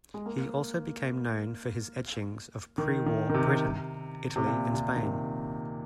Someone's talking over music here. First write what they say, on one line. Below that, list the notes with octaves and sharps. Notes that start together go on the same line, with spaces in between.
He also became known for his etchings of pre-war Britain, Italy and Spain.
G#3
A#3
D#3
D#3
D#3
C3
C3
A#2
C3
D#3
C3